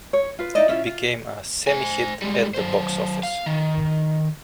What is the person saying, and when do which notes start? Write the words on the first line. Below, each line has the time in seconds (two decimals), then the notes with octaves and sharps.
It became a "semi-hit" at the box office.
0.13 C#5
0.39 F4 B4
0.55 D#4 E4 D5 D#5
0.69 C#4 E4 F4
0.86 F4
1.67 C5 G#5
2.22 G3 G#3
2.54 F#3 C5
3.23 F5
3.46 D#3